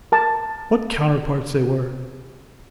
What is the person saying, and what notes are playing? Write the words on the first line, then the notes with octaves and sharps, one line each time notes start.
What counterparts they were!
A#4 A5